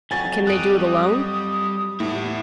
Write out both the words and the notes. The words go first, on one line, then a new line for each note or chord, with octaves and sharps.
"But can they do it alone?"
F2 F#3 G#5 A6
G3 D#6 F#6 D7 D#7
A2 B3 E4 G4